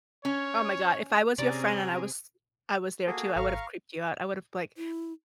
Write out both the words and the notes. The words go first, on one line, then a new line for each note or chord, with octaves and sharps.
Oh my god, if I was your friend and I was I was there too, I would've creeped you out. I would've, like,
C#4 C#5
C3 C4 C#4 G4 G#4 D5 A#5
A#3 F#4 G#4 A4
G#1 F5 A#5 C#6 F6
E4